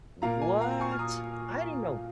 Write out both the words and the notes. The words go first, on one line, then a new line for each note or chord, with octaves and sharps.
What! I didn't know
A#2 A#3 F5 A#5
G#5
F5 A#5
A#5
G#5 C#6
F6
A#5 D#6